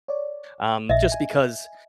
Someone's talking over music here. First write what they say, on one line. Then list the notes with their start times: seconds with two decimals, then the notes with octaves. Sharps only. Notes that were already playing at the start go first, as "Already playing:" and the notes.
um, just because
0.08 C#5 D5
0.89 A#1 D#5 E5
1.12 G#5